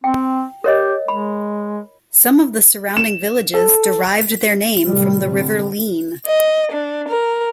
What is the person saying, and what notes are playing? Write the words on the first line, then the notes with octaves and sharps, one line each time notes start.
Some of the surrounding villages derived their name from the River Leen.
C4 G5
G4 A#4 C#5 D#5
G#3 B5
E7
A4
A2 C3 D#3 G3 A3
D3 C4
D#5
D4
A#4